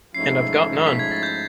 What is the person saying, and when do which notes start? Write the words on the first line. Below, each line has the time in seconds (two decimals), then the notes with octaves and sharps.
And I’ve got none.
0.14 G#2 F3 A3 C#4 E4 C7
0.87 B6
0.99 G#6
1.11 A6
1.23 G6